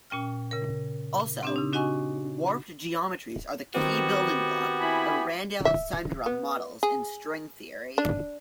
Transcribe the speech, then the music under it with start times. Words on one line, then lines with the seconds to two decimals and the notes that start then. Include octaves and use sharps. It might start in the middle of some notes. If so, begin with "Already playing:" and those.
Also, warped geometries are the key building block of Randall-Sundrum models in string theory.
0.10 A#2 C#4 G5 F6
0.51 C#3 A#4
1.43 C4 D4 G4
1.56 C#3 D#4
1.73 D4 F#4 D#5 F#5 G#5 C#6
3.75 D#3 B3 C4 F#4 G4
4.80 E4 G#5 B5
5.65 E5
6.26 B3
6.83 G#4
7.98 D4